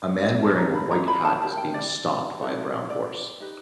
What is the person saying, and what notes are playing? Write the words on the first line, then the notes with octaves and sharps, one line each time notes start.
A man wearing a white hat is being stomped by a brown horse.
D4 G4 A#4 A5
A#5
B5
A#5
B5
A5
E4 G4 A#4 A5
G5
D5
D#4 F#4 A4
D5
D#4 G4 B4